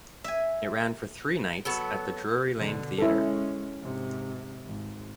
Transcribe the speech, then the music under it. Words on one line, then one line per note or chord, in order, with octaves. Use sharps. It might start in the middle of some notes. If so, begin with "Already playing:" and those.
It ran for three nights at the Drury Lane Theatre.
E5 G#5
F#3 B3 A4
B2 D3
G#3 C#4 E4 A4
G#2 C3
G#1